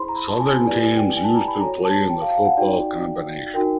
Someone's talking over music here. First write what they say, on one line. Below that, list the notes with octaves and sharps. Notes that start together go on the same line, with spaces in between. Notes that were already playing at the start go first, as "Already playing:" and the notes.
Southern teams used to play in the Football Combination.
Already playing: E4 G#4 C5 B5 C6
A#5
B5
A5
G#5
G#5
E4 G4 B4 D5 G#5
G#5
G5
G#5
A5
A#5
B5
F#4 A4 C#5 A#5
A5
G5
F5
F5
F#5
D#4 F#4 A4 D5 G5
D#4 F#4 A#4 G5